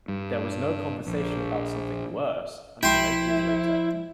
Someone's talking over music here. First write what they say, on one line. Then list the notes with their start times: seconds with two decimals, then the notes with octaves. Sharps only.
There was no conversation about something 'worse' until eight years later.
0.08 G2
1.07 A#1
2.83 B1 F3 E4 G5 C6